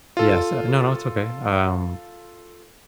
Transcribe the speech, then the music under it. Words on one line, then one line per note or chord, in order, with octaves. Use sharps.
Yes uh, no, no, it's okay. Um,
F4 A4